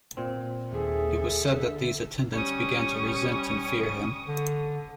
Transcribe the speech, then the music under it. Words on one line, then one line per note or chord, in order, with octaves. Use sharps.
It was said that these attendants began to resent and fear him.
A#2 C4
D#2 G#4 A4 E5
D3
G3 C#4 C#6 D#6
D3